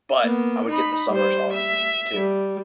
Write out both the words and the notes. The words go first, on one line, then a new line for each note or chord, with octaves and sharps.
but I would get the summers off, too.
A#3 B3
D#4 B5
G3 C5
E5
G3